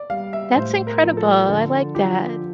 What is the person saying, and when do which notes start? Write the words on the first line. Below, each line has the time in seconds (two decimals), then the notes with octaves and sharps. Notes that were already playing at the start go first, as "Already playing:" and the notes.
That's incredible, I like that.
Already playing: D5
0.10 G3 F5
0.33 E5
0.56 A2 C5
0.87 A#4
1.03 F3
1.17 A4
1.48 D3 A4
1.95 F3 G4